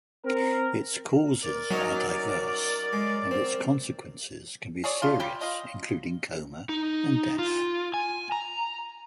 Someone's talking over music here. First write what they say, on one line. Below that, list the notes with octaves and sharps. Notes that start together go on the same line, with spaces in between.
Its causes are diverse, and its consequences can be serious, including coma and death.
C4 A#4
A#4 D5
F#3 C#4 D#4 D#5 F6
G#3
C4
G#4 C#5 D5
C#3 A3 F4
F#3 G3 G4
F4 D#5
D#4
F4
G#5
A#5